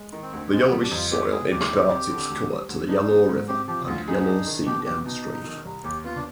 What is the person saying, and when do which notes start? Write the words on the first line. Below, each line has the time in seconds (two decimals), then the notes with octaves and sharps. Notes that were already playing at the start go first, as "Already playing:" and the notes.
The yellowish soil imparts its color to the Yellow River and Yellow Sea downstream.
Already playing: G#3
0.13 D#3
0.22 C4
0.33 D2
0.53 G#3 C4
0.67 G3 B3
0.82 D4
0.91 F2
0.96 F4
1.11 B3 G4
1.31 G#3 G#4
1.51 D#2 G4
1.71 D#4
1.91 C4
2.10 D3
2.30 D2
2.50 G3
2.69 D2
2.88 D4 D#4
3.09 B3
3.29 G#2
3.48 C4 G4
3.68 F3 G4
3.88 D2 F4
4.07 D#4 G#4
4.27 D4
4.47 D#3
4.66 B2 G4
4.86 B3 G4
5.06 B2 D#4
5.26 C2
5.46 D#3
5.65 C2
5.84 D#2 G4
6.04 B3 F4
6.16 D4